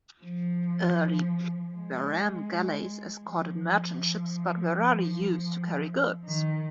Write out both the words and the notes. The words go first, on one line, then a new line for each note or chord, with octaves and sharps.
Early bireme galleys escorted merchant ships but were rarely used to carry goods.
F3
G#3
F3
D#3